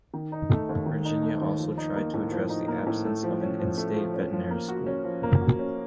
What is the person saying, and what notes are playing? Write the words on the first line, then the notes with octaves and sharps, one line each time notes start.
Virginia also tried to address the absence of an in-state veterinary school.
D#3
D#4
A3
D#2
D#3
D#4
A3
D#2
F3
D#4
A#3
A2
F3
D#4
A#3
A2
A3
F3
C#4
F3
A3
F3
C#4
F3
A#3
F#4
C#4
F3
A#3
F#4
C#4